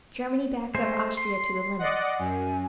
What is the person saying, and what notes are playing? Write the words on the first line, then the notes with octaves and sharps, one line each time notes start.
Germany backed up Austria to the limit.
G#3 A3 C5
C6 C7
D5 D#5 F#5
F#2 G#5